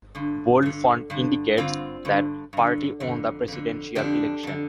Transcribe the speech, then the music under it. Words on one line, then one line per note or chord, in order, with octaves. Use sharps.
Bold font indicates that party won the presidential election.
G2 D3
G2 D3
G2 D3
G2 D3 C4 F4
G2 D3
G2 D3
F2 D3
F2 D3
F2 D3 D4 G4
F2 D3